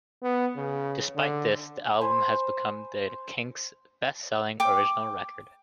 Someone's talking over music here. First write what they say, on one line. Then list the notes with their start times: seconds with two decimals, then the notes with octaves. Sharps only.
Despite this the album has become the Kinks' best-selling original record.
0.22 B3
0.56 C#3
1.15 D3
2.01 C5 G#5 B5
4.60 G5 D6